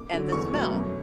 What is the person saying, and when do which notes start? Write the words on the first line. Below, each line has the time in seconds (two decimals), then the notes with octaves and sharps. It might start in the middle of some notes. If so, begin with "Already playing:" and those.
And the smell.
Already playing: D6
0.13 D3 F#3
0.32 E2 C#6
0.53 B2 F#3 A3 C#4
0.72 F#2